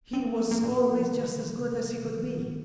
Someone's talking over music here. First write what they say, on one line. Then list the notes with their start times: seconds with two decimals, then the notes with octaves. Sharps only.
"He was always just as good as he could be!"
0.13 C4
0.26 A#3
0.39 C4
0.51 A#3
0.63 A#2
0.77 G3
0.89 F3
1.02 C3
1.15 D#3
1.27 C3
2.02 D#3